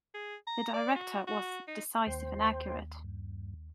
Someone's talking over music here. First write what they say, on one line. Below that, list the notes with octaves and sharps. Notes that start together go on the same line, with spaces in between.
The Director was decisive and accurate.
G#4
A#5
D5
F#4
F#4
D#4
D#2 C5 G5 C6
G2